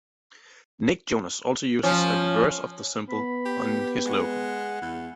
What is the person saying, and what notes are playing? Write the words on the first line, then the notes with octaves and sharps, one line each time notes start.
Nick Jonas also uses a reverse of the symbol in his logo.
F3 C#4
B3 B5
G4
G#3 F#5
E2